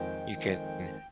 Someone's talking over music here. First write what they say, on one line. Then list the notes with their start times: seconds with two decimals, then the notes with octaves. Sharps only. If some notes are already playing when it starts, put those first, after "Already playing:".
You can n
Already playing: F2 D#3 G#3 G5
0.30 F2 D#3 G#3